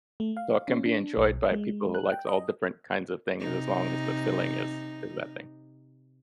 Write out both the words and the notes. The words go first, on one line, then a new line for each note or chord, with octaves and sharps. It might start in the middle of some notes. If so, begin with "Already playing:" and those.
So it can be enjoyed by people who likes all different kinds of things as long as the filling is in that thing.
A3
F5
C#4
D4
B1
G#3
F#6
G5
D#5
C3 D#4